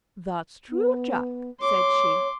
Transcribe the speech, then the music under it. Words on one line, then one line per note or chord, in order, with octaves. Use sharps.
"That's true, Jack," said she.
B3
C#5 C6 D6